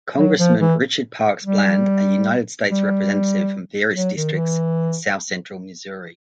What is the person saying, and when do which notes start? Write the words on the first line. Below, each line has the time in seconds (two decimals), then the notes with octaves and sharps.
Congressman Richard Parks Bland, a United States Representative from various districts in south-central Missouri.
0.18 F#3
0.39 F3
0.60 E3
1.44 G3
2.71 G3
3.96 F#3
4.17 D#3
4.33 D#3
4.38 E3